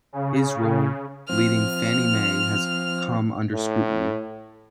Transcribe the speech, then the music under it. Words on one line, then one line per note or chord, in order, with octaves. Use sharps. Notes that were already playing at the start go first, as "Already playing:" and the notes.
His role leading Fannie Mae has come under scrutiny.
C#3
F3 C4 F6
A2